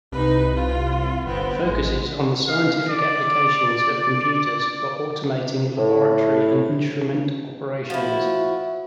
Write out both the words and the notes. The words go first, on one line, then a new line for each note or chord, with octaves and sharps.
It focuses on the scientific applications of computers for automating laboratory and instrument operations.
C2 D#4 B4
F4
G1 B3 C4
A1 G#3
F5
D5
A2
F3 E4 F#4